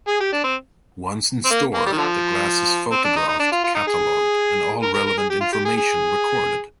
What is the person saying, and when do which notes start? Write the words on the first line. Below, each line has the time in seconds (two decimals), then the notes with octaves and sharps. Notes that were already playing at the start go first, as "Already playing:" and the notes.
Once in store, the glass is photographed, catalogued and all relevant information recorded.
0.08 G#4
0.20 G4
0.32 D4
0.44 C4
1.45 C4
1.51 A#3
1.74 A#3
1.86 G3
1.92 D#3
1.98 D3 F3
2.92 C4
3.04 D4
3.16 D#4
3.29 D#4
3.39 D4
3.52 F4
3.64 F4
3.75 D#4
3.87 G#4
4.82 A#4
4.94 A#4
5.06 A#4
5.18 G#4
5.30 G4
5.41 F4
5.52 G4
5.65 G#4
5.77 G#4